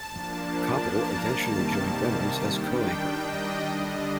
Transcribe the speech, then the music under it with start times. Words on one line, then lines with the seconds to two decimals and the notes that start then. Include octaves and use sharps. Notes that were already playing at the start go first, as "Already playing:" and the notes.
Koppel eventually joined Reynolds as co-anchor.
Already playing: A5
0.10 F3 A#3 D4
0.70 A5
1.00 A#5
1.30 C3 D#3 G3 A#3 A5
2.49 D#3 G3 D4 G5
3.08 D#5
3.69 D3 G3 D4